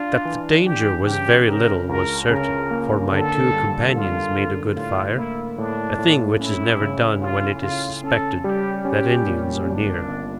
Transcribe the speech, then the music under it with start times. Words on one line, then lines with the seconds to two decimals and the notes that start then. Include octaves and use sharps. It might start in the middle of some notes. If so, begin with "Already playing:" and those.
That the danger was very little was certain, for my two companions made a good fire--a thing which is never done when it is suspected that Indians are near.
Already playing: D4 F4
0.25 E3
0.65 D4 G4
1.07 C#3 G4
1.48 C#3 A#4
1.89 C#2 A#4
2.29 C#3 A#4
2.71 A#3
3.12 D3 A4
3.53 G2
3.93 G2 F4
4.35 D3
4.76 A2 F4
5.17 A#3 E4
5.58 A2 D4
5.99 A2
6.40 C#4 E4
6.81 C#3
7.22 C#4 F4
7.62 C#3 F4
8.03 C#4 A4
8.44 G3 G4
8.85 C#4 G4
9.27 A#2
9.67 G1 D4
10.08 G1